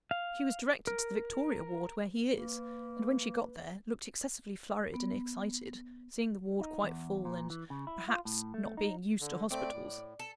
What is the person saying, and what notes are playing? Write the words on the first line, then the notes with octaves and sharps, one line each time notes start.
She was directed to the Victoria Ward, where he is; and when she got there, looked excessively flurried and excited--seeing the Ward quite full, and, perhaps, not being used to hospitals.
F5
A#4
A#3 B4
B3
D#4
E2
A#2
E3
C#3
E4
F4
A2
A3
D#4
D3
A3 C4 D5
A2
A4